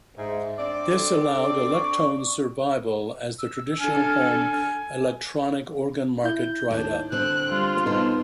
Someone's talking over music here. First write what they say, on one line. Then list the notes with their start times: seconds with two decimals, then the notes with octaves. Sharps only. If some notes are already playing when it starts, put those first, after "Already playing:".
This allowed Electone's survival as the traditional home electronic organ market dried up.
0.18 G#2 E5
0.58 C4 D4 D5
0.91 A4
1.73 C#6
3.39 E6
3.80 D4 A4 G#5 F6
6.24 E4 G6
6.71 D#2 D4
7.12 D3 C4 F#6
7.52 G3 F4
7.86 B2 B3 C4 D#4 A4